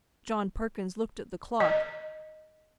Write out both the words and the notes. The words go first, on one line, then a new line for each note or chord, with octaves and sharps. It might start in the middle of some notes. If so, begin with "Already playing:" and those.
John Perkins looked at the clock.
D#5